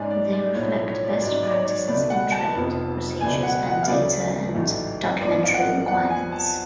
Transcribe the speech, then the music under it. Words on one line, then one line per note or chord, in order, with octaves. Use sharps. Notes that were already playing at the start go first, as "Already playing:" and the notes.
They reflect best practices in trade procedures and data and documentary requirements.
Already playing: G#2 G#3 C#4 D5
D5
D5
B1 A2 F3 A3 C#5
C#5
D5
G#1 G#2 F#3 D5
D5
C#5
D5
C#5
C#2 B2 A3 D4 D5
F#5
A5
F1 F2 F3 B3
C#2 B2 A3 D4 G#5
F#5
F#5
F5
D2 C#3 F#3 A3 C#4 D5
A1 G#2 F#3 A3
A1 G#2 F3 B3 D4 D5
F5
F#5
F2 F3 B3 D4 F#5
G#5
A5